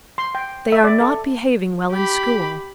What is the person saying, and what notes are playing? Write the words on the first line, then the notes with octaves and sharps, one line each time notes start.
"They are not behaving well in school."
C6
G5
E5
D5
A4
G4 B5